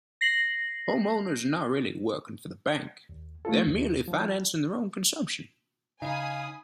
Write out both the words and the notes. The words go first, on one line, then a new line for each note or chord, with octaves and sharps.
Homeowners are not really "working for the bank"; they're merely financing their own consumption.
A#6 C7 F#7
D#2
A3 E4 F4 A4
D#2
F3
C#3 D#4 F5 G#5 B5 D#6